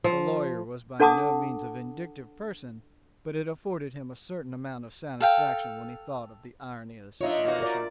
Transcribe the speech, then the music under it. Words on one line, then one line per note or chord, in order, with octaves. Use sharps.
The lawyer was by no means a vindictive person, but it afforded him a certain amount of satisfaction when he thought of the irony of the situation.
F3
D4 A4 F#5 A5 D6 D#6
A4 F5 G5
D4 D#4 F4 C#5 E5
A#3 D#4 F#4
F4 A#4 D5